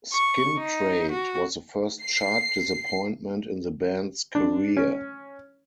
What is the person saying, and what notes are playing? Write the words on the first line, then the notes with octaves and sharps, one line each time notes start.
"Skin Trade" was the first chart disappointment in the band's career.
C#6
D#4
F#4
C7
D4
C#4